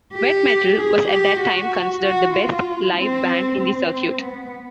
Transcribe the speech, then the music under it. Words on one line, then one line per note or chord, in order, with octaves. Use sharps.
Wet Metal was at that time considered the best live band in the circuit.
G4
G#4
G4
F#4
F#4
F4
C4
C4
B3